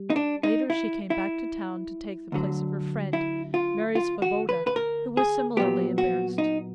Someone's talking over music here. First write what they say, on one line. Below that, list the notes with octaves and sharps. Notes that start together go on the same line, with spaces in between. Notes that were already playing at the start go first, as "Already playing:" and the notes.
Later she came back to town to take the place of her friend, Mary Svoboda, who was similarly embarrassed.
Already playing: G3
D#4
D4
D#4
E4
E4
D2 D3 F#3
E4
F4
F4
F#4
B4
B4
A#4
G#4
A#2 F#3 B3 G4
F#4
D#4